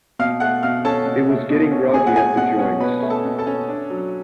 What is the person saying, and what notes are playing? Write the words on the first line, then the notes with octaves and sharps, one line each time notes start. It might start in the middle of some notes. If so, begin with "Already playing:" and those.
It was getting groggy at the joints.
B2 F5 F6
A3 F#5 F#6
B2 F5 F6
C#4 A4 A5
B2
A3
B2
C#4
B2 G#4 G#5
F#5
A3 G#4 G#5
B2 F#5
C#4 F#5
B2 B4 B5
A3
A4 A5
B2
A4 A5
C#4
D4
F#3